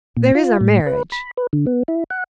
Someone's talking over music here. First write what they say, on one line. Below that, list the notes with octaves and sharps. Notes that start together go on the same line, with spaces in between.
There is our marriage....'
A#2
F4
A2
B4
B5
B4
D3
B3
E4
F#5